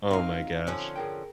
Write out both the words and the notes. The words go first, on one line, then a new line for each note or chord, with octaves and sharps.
Oh my gosh.
C4 D#4 F4 A#4 F5
D3 F3 C#4
G#4 A#4 G5